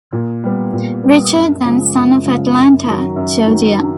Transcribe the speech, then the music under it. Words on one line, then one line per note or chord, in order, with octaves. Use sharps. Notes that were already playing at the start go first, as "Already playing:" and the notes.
Richard and Son of Atlanta, Georgia.
A#2
G3 B3
A#2
G3 B3
F#2
C#3 F3 G#3
F#2
C#3 F3 G#3
F#2
D#3 F#3
F#2
D#3 F#3